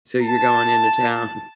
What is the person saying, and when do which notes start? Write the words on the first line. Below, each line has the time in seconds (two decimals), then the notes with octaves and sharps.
So you're going into town
0.23 A5